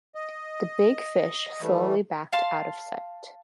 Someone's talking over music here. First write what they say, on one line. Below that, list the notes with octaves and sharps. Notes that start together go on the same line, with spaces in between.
The big fish slowly backed out of sight.
D#5
E3 G3 A3
F5 A5 C6